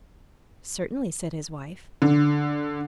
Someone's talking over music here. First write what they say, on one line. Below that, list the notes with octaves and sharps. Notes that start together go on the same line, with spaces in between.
"Certainly," said his wife.
D3